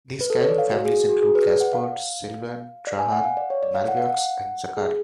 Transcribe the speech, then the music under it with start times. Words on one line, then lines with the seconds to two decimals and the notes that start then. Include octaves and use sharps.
These Cajun families include Gaspard, Sylvan, Trahan, Malveaux, and Zachary.
0.21 B4
0.30 A4
0.40 C#5
0.49 D5
0.58 F5
0.71 F#4
0.85 G#4
1.09 F#4
1.22 G#4
1.35 B4
1.47 D5
1.60 F#5
1.73 F5
2.87 D5
2.99 G#5
3.12 F#5
3.24 F5
3.37 D5
3.50 C#5
3.63 D5
3.75 F5
3.88 F#5
3.97 F5
4.05 F#5
4.77 G#4